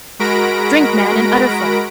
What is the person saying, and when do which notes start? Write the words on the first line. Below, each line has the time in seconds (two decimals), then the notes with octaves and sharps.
Drink, man, an udderful!
0.19 G#3 F#4 A#4 B5 A#6 D7